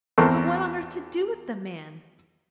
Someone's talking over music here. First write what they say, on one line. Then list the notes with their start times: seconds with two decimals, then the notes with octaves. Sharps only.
But what on earth to do with the man?
0.18 E2 C4 A4 A#4 C#6